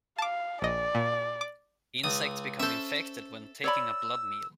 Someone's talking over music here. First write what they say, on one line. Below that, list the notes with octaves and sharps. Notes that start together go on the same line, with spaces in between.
Insects become infected when taking a blood meal.
F5 A5 D6
A#1 D5 D#5
A#2
D6
C#2 D#6
C#4 A4 C5 E5
C#5 D5 B5 E6